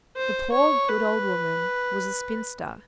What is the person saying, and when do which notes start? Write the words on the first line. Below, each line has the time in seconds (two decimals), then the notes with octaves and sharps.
The poor good old woman was a spinster.
0.17 C5
0.52 C#5
0.89 B4